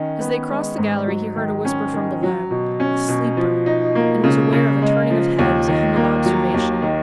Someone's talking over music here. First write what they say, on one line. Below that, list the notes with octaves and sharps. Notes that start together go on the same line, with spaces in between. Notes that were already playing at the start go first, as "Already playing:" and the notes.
As they crossed the gallery he heard a whisper from below, "The Sleeper," and was aware of a turning of heads, a hum of observation.
Already playing: D#3 C#4
B3
G#3
G#2
F#3
D#3
C#4
D#3
F#3
B2
C#4
B2
F3
D#4
A#3
C#3
C#3
G#3
F3
D#2
D#3
A#3
F#3
D#2
D#3